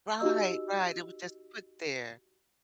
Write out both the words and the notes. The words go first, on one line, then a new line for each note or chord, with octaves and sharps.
Right, right, it was just put there.
D#4 F#4 G4 D#5 E6